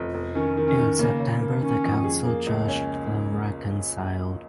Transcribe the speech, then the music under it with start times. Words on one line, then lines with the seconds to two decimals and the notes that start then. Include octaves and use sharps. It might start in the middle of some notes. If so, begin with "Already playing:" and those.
In September the council judged them reconciled.
Already playing: F1 F3
0.14 F1
0.35 D#3 C#4
0.57 D#3
0.68 C#4
0.78 D#3
0.99 C#3 A#3
1.20 C#3
1.41 A#3
1.62 D#3 C#4
1.84 F2
2.04 G#4
2.25 A#3
2.46 C#2
2.68 C#4